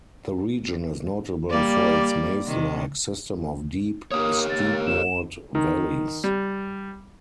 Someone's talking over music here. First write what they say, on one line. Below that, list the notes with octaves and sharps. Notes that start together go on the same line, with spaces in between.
The region is notable for its maze-like system of deep, steep-walled valleys.
G3 A#3 D5
C3 D#3
A#3 G4 A#4 C#5 D#6
A#3 A6
E7
D#3
G3